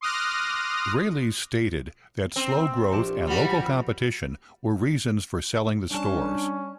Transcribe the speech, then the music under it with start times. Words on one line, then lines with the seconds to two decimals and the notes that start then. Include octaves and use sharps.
Raley's stated that slow growth and local competition were reasons for selling the stores.
0.01 C6 D6 D#6 F6 F#6 A#6
2.36 C4
2.92 A#1 G4 E7
3.27 G3 F#4
5.91 G3 C#4 D4 A5